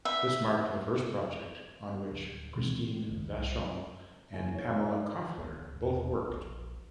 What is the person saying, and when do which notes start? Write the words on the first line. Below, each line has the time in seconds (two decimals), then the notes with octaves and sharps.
This marked the first project on which Christine Vachon and Pamela Koffler both worked.
0.05 E5
2.11 D1
2.56 B2 E3 G#3 C4
3.08 G#1 C#2 G2 A3
3.32 C2
4.33 F#1 E2 G#5
4.54 D#4 C#5
4.84 D#4 C#5 D#5 E5
5.38 D1 C#2
5.76 E2
6.02 D#1
6.27 A#1